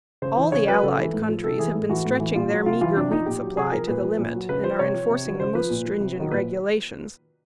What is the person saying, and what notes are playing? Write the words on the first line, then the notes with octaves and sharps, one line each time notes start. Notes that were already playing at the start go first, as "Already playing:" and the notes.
All the Allied countries have been stretching their meagre wheat-supply to the limit and are enforcing the most stringent regulations.
C#3 C5
E3
C#3 C#5
F#3 B4
C#3 A4
E3
A2
F3
C3 A4
E3 G#4
A2
E3 F#4
A2
E3
A#2 F4
F#3
C3 F4
E3 F4
C3 D4
F3 D#4
A#2 G4
F#3
C3 G#4
F3 A#4
A#2 B4
F3
A#2
F#3
C#3 B4
F3 C5
C3 C#5
F3
C3
D#3 F#3
C#3 C5
F3 B4
A#2
F3
C3
D#3 F#3
A#2 B4